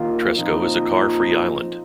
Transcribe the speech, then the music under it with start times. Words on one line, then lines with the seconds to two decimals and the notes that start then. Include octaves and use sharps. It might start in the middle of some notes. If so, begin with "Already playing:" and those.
Tresco is a car-free island.
Already playing: D#2 D#3 A#3 F4
0.34 A#2 F3 C4 D#4